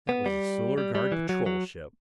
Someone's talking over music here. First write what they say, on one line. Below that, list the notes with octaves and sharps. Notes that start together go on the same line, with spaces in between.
"That was a Solar Guard patrol ship!"
B3
G3
G3
G3
E3
F#3
F#3